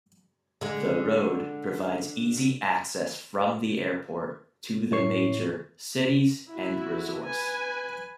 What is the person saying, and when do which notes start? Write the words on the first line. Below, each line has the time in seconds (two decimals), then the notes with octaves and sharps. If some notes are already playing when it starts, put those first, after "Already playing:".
The road provides easy access from the airport to the major cities and resorts.
0.61 D3 G#3
4.91 A2 C#5 C#6 C7
6.49 E4 F#4
7.24 B4 G#5